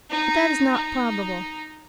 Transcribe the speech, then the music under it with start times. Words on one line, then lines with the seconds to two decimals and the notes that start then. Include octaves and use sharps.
But that is not probable.
0.10 D#4
0.73 D#4